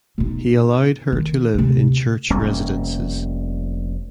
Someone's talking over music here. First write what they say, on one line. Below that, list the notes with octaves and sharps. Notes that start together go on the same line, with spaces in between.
He allowed her to live in church residences.
B2 D#4
D#3
D2 C3
F1 G3 A#3 C#4